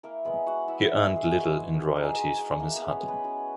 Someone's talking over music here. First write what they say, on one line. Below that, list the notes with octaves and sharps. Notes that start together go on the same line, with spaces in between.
He earned little in royalties from his hut.
A#3 E4 A#4
G#3 B3 B4
G#3 F#4 F#5
B3 E4 E5
E4
G#3 G#4
G#3 F#4
G#3
D#4
D#4 G#4
G#3
G#3
A#3 E4 A#4
B3 B4
G#3
C#4 C#5
G#3
B3 B4
C#4 F#4